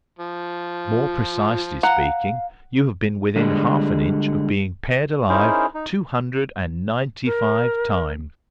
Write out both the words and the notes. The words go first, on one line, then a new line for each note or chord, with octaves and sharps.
"More precisely speaking, you have been within half an inch of being pared alive two hundred and ninety-five times."
F3
F4
F5 F#5 A#5
D3 G3 G#3
C#4 D#4 E4 G#4 A#4 C5
D#4
A#4